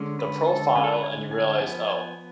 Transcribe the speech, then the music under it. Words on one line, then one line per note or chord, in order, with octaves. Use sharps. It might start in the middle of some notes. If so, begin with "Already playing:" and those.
the profile and you realize, "Oh,
Already playing: D3 G#3 C#4
B4
A4
D3 G#3 C#4 B4
A4
B4
G#5
G#5
F3 B3 G#5
G#5